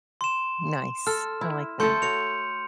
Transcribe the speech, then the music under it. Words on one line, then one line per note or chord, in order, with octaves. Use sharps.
Nice, I like that.
C6 E7
A4 F6
E4
A3 A4 C6 G6 C#7
F#4 C#5 C#7 F7